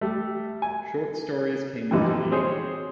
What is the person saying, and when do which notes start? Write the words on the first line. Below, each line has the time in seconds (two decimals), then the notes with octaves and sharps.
Short stories came into being.
0.01 G3 A3
0.62 G#5
1.91 F2 A#2 D3 E3 G3 D#4
2.31 C4 G#4 C5 C#5